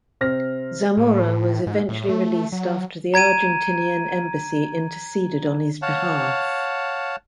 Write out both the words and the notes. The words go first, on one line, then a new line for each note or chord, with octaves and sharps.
Zamora was eventually released after the Argentinian Embassy interceded on his behalf.
C3 C4 F6 A#6
A2
G#2
A2
A3
F#3
A#5 G#6 D7 D#7
C#5 F5 F#5 A5